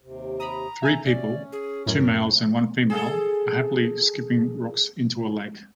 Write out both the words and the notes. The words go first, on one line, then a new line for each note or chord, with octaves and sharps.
Three people, two males and one female are happily skipping rocks into a lake.
D#2 C3
A#5 B5 D#6
E5 G#5
C#4 D5
G#4
F#2 A2 A#4
G#4 A4